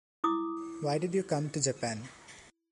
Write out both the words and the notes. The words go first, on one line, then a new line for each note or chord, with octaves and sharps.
Why did you come to Japan?
E4 D6 D#6